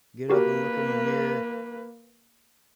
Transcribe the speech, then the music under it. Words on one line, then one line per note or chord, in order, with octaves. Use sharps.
get up and look in the mirror,
A#3 F#4 G4 A#4 B4